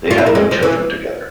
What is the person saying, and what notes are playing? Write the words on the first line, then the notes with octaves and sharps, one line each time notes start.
They had no children together.
F4
E4
A#3
G#3
F3
E3